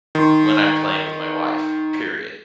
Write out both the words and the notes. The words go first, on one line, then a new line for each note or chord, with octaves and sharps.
when I'm playing with my wife, period.
D#3 C6